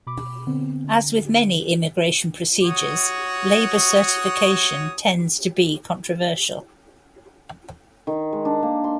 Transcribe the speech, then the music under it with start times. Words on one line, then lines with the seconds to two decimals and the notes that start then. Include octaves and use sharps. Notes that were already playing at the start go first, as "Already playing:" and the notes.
As with many immigration procedures, labor certification tends to be controversial.
0.07 B2 B5 D6
0.47 D3 B3 C4
0.84 D3
2.63 F#4 C#5 D#6
8.07 D#3
8.33 G#3
8.45 D4
8.63 A#3
8.84 C6